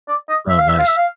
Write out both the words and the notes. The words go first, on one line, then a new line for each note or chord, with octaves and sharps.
Oh, nice.
D5
D#5
E5
F5
E5
F5
E5
F5